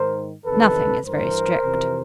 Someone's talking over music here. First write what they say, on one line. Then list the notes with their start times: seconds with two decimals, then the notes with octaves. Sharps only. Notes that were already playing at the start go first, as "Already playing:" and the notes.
Nothing is very strict.
Already playing: G#2 D#3 A#4 C5
0.45 E2 C3 D#3 A4 B4
1.04 G2 E3 A#4 C5
1.63 F2 C3 E3